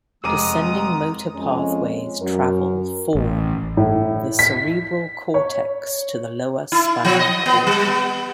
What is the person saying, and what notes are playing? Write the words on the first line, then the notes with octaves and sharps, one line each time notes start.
Descending motor pathways travel form the cerebral cortex to the lower spinal cord.
F1 G#3 A#5 D6 D#6 D#7
F2 G#3 C#4
F#2 A#4
A1
A2
B6
C#5
E4
F3
D#5
B3
G3
B3